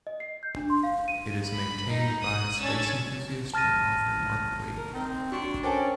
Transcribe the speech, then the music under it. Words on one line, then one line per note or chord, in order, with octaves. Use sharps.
It is maintained by space enthusiast and author Mark Wade.
D#5
C7
G6
D4
C6
F5
D#7
B5
D#4
D#6 F#6
C#4 D4 C#6 E6 G#6 A6
A5 F6 A6 A#6 D#7
A#4
C4 D#4 D#5 A#5
D4 F#4 C#5 C6 C#6
C#4 A4 A#4 C5 G5 D6 A6